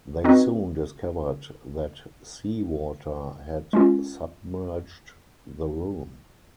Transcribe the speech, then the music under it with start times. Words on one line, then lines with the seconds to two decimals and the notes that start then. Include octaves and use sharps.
They soon discovered that seawater had submerged the room.
0.24 C4 D#4 F#4 B4 D#5
3.73 G#3 C#4 F4